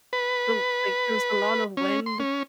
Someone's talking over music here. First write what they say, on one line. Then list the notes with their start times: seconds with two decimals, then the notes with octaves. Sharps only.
so, like, there was a lot of wind.
0.13 B4
1.77 C#4
2.06 C6
2.20 C#4